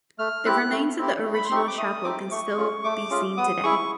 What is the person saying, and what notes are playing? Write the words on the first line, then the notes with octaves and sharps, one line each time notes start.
The remains of the original chapel can still be seen today.
A3 F6
C4 E4 G4 F#6
A3
C4 E4 G4
A3
B5
C6
C4 D#4 G4 C#6
D6
A3 D#6
C4 D#4 G4 D6
A3 C#6
C#4 F4 G#4
A3 D6
C#4 F4 G#4
B3 D#6
E4 G#4 C#6